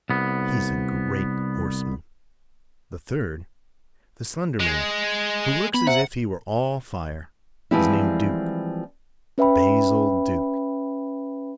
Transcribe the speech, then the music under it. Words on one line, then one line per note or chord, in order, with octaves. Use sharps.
He's a great horseman. The third, the slender man who looks as if he were all fire, is named Duke, Basil Duke.
C2 B3
G#3
B3 B5
C5 E5 F#5 A#5
E3 F3 G3 G#3 C4 E4
C#4 B4 E5 G5 B5